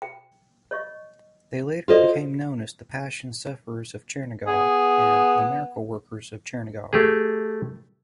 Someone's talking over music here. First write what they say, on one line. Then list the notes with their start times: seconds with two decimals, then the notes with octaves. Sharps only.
They later became known as "The Passion-Sufferers of Chernigov" and "The Miracle-Workers of Chernigov".
0.02 G5
0.71 C#5 D#5 C#6
1.88 F4 F#4 A4 C5 D5 D#5
4.48 B3 G#4
6.93 A3 G4 G#4